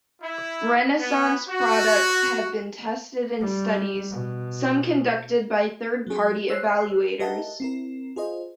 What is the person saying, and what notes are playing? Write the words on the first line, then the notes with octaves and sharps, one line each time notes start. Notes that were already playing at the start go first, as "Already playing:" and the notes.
Renaissance products have been tested in studies, some conducted by third-party evaluators.
E4
B3
F#4
G3
B2
F#3 G#4
C5 C#5 E6 F#6 C7
G4 A#4 D#5 E5 F#5 A5
C4 E4 A#4
F4 G#4 C5 D#5